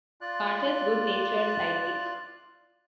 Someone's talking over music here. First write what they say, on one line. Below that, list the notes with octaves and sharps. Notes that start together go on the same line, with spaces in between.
Carter's good-natured sidekick.
F4 D5 F#6